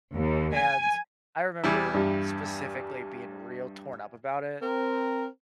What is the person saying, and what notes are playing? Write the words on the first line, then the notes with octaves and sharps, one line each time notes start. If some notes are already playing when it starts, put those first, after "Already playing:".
And I remember specifically being real torn up about it,
D#2
G#5
E2 G3 E4
G2
C4 A#4